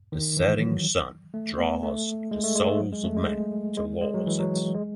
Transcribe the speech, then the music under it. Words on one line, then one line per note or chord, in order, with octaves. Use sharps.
The setting sun draws the souls of men towards it.
D#3
E3
F#3
A3
B3
A3
G#3
A3
G#3
A3
F#3
G#3
A3
G#3
G#3
G#3
F#3
E3
F#3
G#3